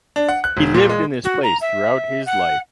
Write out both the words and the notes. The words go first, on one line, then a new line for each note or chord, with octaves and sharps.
He lived in this place throughout his life.
D4
F#5
F#6
E1
A#2
G#3
F#4
A#5
E5
F#5